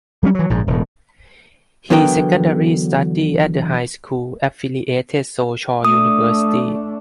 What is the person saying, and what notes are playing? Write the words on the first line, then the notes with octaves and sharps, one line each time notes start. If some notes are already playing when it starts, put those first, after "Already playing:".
He secondary studied at the High School Affiliated Soochow University.
F#3 G3 A#3 C#4
E3 F#3
A#1 G#2
E1 A2
E2 D3 F#3 B3 A#4 G5
A3 D4 D#6